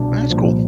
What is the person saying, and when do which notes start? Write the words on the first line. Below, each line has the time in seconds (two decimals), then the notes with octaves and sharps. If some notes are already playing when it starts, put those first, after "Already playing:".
That's cool.
Already playing: C2 B2 D4
0.30 C2 A#2 F3